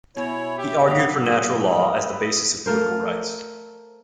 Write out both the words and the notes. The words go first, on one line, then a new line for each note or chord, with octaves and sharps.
He argued for natural law as the basis of political rights.
B2 E4 C#5 G#5
G4 E5
F#3 A#3 G4 F5 F#5 D#6 E6
G#2
A#4
B4
A3 F4 A#4 C5